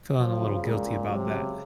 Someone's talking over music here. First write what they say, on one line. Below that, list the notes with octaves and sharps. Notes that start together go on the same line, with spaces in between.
feeling a little guilty about that.
F3 F#3
C#3
C#2 A#2
C#2
C3 F#3
C#3